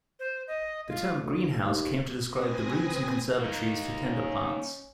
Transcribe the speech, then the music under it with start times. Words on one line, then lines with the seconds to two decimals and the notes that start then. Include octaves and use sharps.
The term greenhouse came to describe the rooms and conservatories for tender plants.
0.19 C5
0.48 D#5
0.88 F4
1.22 D2
1.36 G1
1.62 D#2
2.26 C4 B4 G#5 D#6 A#6
3.40 A#3 D#4
4.06 C#4